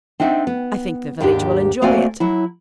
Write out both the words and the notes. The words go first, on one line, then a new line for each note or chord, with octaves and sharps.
"I think the village will enjoy it."
C4 D4 D#4 E5 F#5
B3
D#2 G#2 D4 G4
A3 A#3 C4 F#4 D5 G#5
F#3 E4